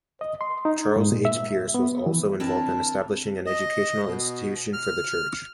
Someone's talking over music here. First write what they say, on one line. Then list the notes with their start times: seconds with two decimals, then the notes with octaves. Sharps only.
Charles H. Pearce was also involved in establishing an educational institution for the church.
0.21 D#5
0.41 C6
0.65 D#4
0.96 G#2
1.12 A#2
1.25 E5
1.74 B3
2.06 E3
2.40 C4 D4 E4 A#4 A5
3.47 D#5
4.07 B2
4.73 F6